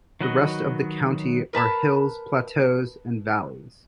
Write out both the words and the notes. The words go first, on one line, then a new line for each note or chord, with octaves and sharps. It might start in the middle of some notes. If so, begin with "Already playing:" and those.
The rest of the county are hills, plateaus, and valleys.
D#3 F#3 F#4 B4 D#5
A#4 B4 A5 B5